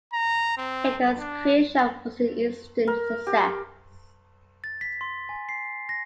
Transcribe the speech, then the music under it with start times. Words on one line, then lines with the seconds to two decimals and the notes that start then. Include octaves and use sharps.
Egan's creation was an instant success.
0.13 A#5
0.58 C4
1.18 D4
2.88 A#4
3.27 G4
4.64 A6
4.81 B6
5.01 C6
5.29 G#5
5.49 C7
5.89 A#6